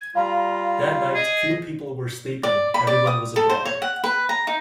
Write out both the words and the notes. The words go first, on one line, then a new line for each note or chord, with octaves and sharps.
That night few people were sleeping, everyone was abroad.
G#6
G3 F4 F5 A#5 B5
G#4 D#5
D5
B5
D5
D#6
A4
C5
C#5
F#5
B4
A#5
D#4